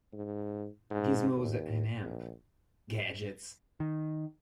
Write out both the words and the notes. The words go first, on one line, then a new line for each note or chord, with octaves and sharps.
Gizmos and amp; Gadgets!
G#2
G#2
D#2
A#1
D#3